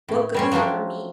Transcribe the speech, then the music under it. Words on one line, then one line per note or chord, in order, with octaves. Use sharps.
What good is it for me?
A2
G3 C4 C#4
F3 F#3 A3 C4 D4